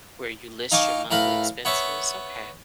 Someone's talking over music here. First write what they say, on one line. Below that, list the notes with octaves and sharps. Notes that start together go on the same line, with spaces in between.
where you list your monthly expenses? Okay.
D#4 F5 G#5 C#6 D6
A2 A#4 B4 F5 B5
B3 C#5 E5 A5